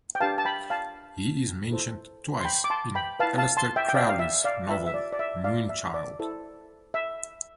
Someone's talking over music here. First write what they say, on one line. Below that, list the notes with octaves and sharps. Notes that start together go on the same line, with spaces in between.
He is mentioned twice in Aleister Crowley's novel "Moonchild".
G5
D4 G4 B4 F5 A5
A5
G5 B5
F5 A5
E4 A4 C5
C6
G5 B5
D6
A5 C6
G5 B5
E4 B4 F5 A5
F5 A5
A5 C6
E5 G5
G5
D5 F5
F5
E5
D5 F5
F4 B4 E5
E5
D5
D5
E5
D5 F5
E5
D5
E4 A4 C5
E5